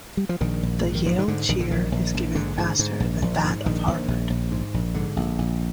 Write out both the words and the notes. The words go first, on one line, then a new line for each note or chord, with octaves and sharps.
The Yale cheer is given faster than that of Harvard.
G3
F3
A#1 D#3
A#1
G#2
D#3
G#2 F3
D#3
G#2 D3
A#1 D#3
D3
A#1 D#3
A#1
A#1
G#2 D3
G#2
G#2
A#1
A#1
G#2
A#1 D#3
A#1
A#1
A#1
G#2
A#1
G#2 D3
A#1
A#1